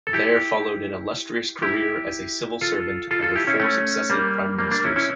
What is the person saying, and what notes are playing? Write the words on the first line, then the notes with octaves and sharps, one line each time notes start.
There followed an illustrious career as a civil servant under four successive Prime Ministers.
A4
E4 G4
E4 G4
F4 A4
F4 A4
F4 A4
E4 G4
C#4 E4
A3 C#4
G3 A#3
G3 A#3
A#3 D4
C#4 E4
C#4 E4